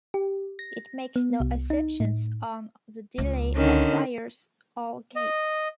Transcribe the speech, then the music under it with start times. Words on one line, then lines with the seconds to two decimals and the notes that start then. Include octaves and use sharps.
It makes no assumptions on the delay of wires or gates.
0.14 G4
0.59 A#6
1.16 B3
1.40 C2
1.70 D#4
2.00 A2
3.18 C#2
3.56 D3 D#3 C#4
5.16 D#5